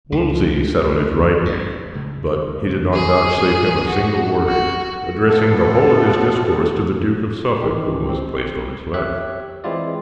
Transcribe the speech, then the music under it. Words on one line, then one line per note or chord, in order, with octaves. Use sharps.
Wolsey sat on his right hand, but he did not vouchsafe him a single word, addressing the whole of his discourse to the Duke of Suffolk, who was placed on his left.
C#2
G2
C#2
G#4
F#4
F#4
A2 C3 F3 B3 A4
G#2 D#3 E3 G#3 G4
C4
G4 C#5 E5 F#6
E3 G#3 C4 E4 F4 D5